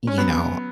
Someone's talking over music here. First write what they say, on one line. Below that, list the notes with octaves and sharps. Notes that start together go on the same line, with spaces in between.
you know,
C#4
F#3 B3